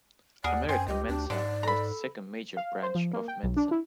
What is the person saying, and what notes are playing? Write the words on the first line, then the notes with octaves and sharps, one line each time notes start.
American Mensa was the second major branch of Mensa.
D#2 G#4 A#4 D5 F#5
F#2 C4 G5 G#5
C#2 G4 D#5
D2 D4
G#2 D3 D5
A4 A#5 B5
F5
C5
F3
A#3
G5
B1
D4
E4